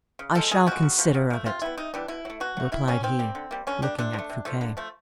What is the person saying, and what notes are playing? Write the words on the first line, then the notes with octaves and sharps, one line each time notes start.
"I shall consider of it," replied he, looking at Fouquet.
C#3
F3 G#3 A4
C#3 G#4
F3 G#3 F#4
C#3
F3 A3
C#3
F3 A3
C3 F4
E3 G3 B3 E4
C3 D#4
E3 G3 B3 D4
B2 E4
F#3
A3
B2 F#4
F#3 A3
D#3 E4
G3 A#3 C#4
D#3 C4
G3 A#3
D3
G3 A#3
D3 C#4
G3 A#3 D4
C3 D4
F3
A3
C3
F3 A3
D3
F3 A3